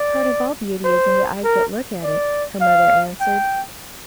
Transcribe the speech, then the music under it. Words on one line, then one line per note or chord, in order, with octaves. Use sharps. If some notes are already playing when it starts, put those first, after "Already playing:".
"Part of all beauty is in the eyes that look at, it," her mother answered.
Already playing: D5
C5
A#4
D5
F5
G5